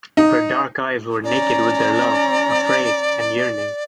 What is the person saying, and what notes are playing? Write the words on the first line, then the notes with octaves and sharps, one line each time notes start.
Her dark eyes were naked with their love, afraid, and yearning.
D#4
C#4 D5 A#5